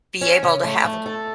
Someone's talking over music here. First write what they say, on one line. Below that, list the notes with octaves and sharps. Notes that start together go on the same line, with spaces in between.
be able to have a go
C#4
C#3
A3
A3
A4